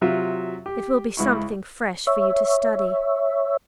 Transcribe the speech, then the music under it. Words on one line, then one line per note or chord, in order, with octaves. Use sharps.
"It will be something fresh for you to study."
C3 F#3 F4 E5
G4
C#2 E4 C#6
C#5 E5